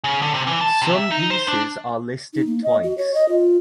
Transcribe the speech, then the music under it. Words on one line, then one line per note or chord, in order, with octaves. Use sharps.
Some pieces are listed twice.
C#3
D3
C3
E3
A5
C3
E5
D#4
C5
D4
D#4
A#3
D#5
F#4
C#5
D#5
F4